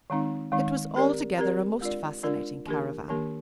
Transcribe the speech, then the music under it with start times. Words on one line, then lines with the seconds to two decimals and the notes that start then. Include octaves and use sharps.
It was altogether a most fascinating caravan.
0.10 D#3 G#3 C4 D#4
0.52 D#3 G#3 C4 D#4
0.95 C4 G4 A#4 D5
1.38 C4 G4 A#4 D5
1.81 G#3 D4 F4 A#4 D5
2.23 G#3 D4 F4 A#4 D5
2.66 D#3 A#3 D4 G4 A#4
3.09 D#3 A#3 D4 G4 A#4